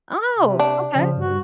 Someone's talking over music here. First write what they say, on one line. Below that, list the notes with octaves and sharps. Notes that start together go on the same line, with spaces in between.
Oh, okay.
C3
D4
C#3 F3
G2 F#4